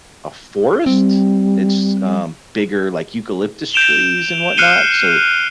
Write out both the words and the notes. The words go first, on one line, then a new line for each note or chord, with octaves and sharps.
a forest it's, uh, bigger, like, eucalyptus trees and whatnot, so
G3 C4
G6 D7 E7 F7 G7
F6 F#6 C7 C#7 D#7 G7